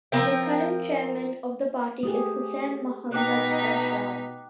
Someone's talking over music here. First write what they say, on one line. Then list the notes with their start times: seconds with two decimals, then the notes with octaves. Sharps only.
The current chairman of the party is Hussain Mohammad Ershad.
0.12 F3 C4 A#4 G5
2.03 A3 G4 G#4 D#6
3.12 B2 D#4 G5 D6 F#6 B6